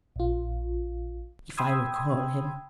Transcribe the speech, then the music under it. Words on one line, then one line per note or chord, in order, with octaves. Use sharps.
If I recall him!
A#1 F4
G5 B5 C6 D#6 E6 G#6